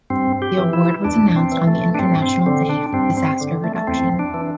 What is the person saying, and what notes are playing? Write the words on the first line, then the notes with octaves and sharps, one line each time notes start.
The award was announced on the International Day for Disaster Reduction.
G2 C4
G4
E3
E4
E2 D4
C4
E3
A3
D4
G2 C4
C4
D3 C4
D4
G2 C4
C4
D3
A3
A3
E2 C4
D4
E3